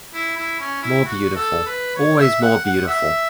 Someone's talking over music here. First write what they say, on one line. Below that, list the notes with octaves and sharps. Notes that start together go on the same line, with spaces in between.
More beautiful, always more beautiful!
E4
E4
C#4
E4
F#4
A4
B4
C#5
E5
F#5
F#5
E5